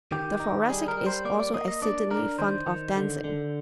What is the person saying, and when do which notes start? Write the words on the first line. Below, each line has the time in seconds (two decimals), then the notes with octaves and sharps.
The Thoracic is also exceedingly fond of dancing.
0.12 D#3 G4
0.40 D#4
0.69 G3 G#4
0.88 A#4
0.97 G3
1.06 C5
1.25 A#3 D5
1.40 D5
1.54 A#3 D#5
1.68 D#5
1.82 D4 D5
2.10 D4 A#4
2.39 D#3 C5
2.67 D#3
2.96 D3
3.24 D3